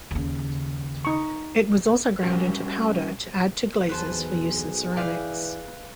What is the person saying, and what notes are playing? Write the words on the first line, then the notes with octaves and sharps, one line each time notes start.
It was also ground into powder to add to glazes for use in ceramics.
D#2 C#3
D#4 C#6
G3 C#4 F#4 A#4
B1 E2 G#4 B4 C5 A5
E3 B4 D5 F5 G5